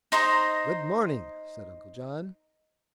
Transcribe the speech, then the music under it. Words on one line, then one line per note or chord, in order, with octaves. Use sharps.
"Good morning," said Uncle John.
D#4 C5 D#5 A#5